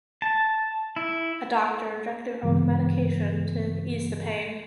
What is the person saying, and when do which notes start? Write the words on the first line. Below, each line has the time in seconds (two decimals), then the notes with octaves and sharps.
A doctor injected her with medication to ease the pain.
0.22 A5
0.96 E4
2.43 G2 C#3 E3 G#3 B3